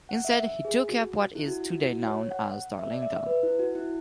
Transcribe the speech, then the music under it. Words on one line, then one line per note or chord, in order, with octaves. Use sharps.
Instead he took up what is today known as Darlington.
F#5
E5
E5
G#4
F#4
E4
F#4
E4
F#4
C#5
F#5
E5
D5
E5
B4
E4
F#4
E4